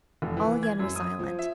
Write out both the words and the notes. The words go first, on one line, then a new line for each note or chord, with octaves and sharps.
All again was silent.
F1
E3
G#6
F#2
D#6
F3
E5